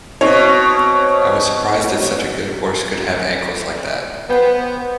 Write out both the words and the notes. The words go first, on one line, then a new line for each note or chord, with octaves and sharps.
I was surprised that such a good horse could have ankles like that.
B2 C4 C#5
B3 B4 C5 G5